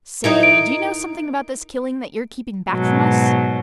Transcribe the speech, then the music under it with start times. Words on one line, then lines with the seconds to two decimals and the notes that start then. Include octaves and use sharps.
"Say, do you know something about this killing that you're keeping back from us?"
0.24 D#4 E4 A#4
0.43 D7
2.70 G#2 B2 F#3